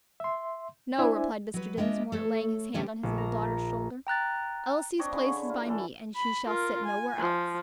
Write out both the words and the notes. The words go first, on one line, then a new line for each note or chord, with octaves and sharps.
"No," replied Mr. Dinsmore, laying his hand on his little daughter's shoulder, "Elsie's place is by me, and she shall sit nowhere else."
E5 C6
D4 E4 C5 D5 E5 G#5
F#3 B4
G#3 B3 D4 F4 D#5 E5
A3 A4 C#5
E2 A2 D3 G3 B3 C#4
A#1
A#5
G5 A#5 F#6 A6
C4 D4 C#5 D#5
C#3 B4 G#5 C#6
D3
E4 F4
F#2 E3 A4
B5
F4 A#4
G#5
F3